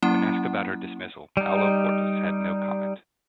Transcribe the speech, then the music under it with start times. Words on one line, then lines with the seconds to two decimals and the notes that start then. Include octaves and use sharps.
When asked about her dismissal, Paulo Portas had no comment.
0.02 F#3 A#3 C#4 E4 F#5
1.37 G3 D#4